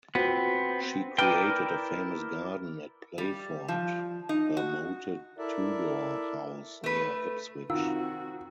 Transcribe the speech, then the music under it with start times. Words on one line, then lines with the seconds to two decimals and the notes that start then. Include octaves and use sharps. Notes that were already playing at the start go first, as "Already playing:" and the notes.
She created a famous garden at Playford, her moated Tudor house near Ipswich.
0.15 B3 C4 F4 F#4 C5
1.18 E4 A#4 B4 D5 G5 D#7
3.18 G3
3.68 F3
4.29 D#4
4.57 F#4
5.38 E4 A4 A#4 D5 E5
6.84 A3 B4
7.70 D#3 C4 F4 F#4 E6